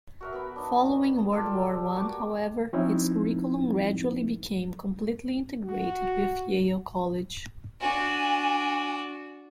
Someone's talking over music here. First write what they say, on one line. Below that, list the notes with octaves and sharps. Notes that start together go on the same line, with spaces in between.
Following World War One, however, its curriculum gradually became completely integrated with Yale College.
F#4 A#4 E5
B3 F#4 B5
D4 D#4
F4 G4 A4 D5
A#3 F#4 G4
F3 C4 C#4 D#4 E4
F#4
D4 F#4 G#5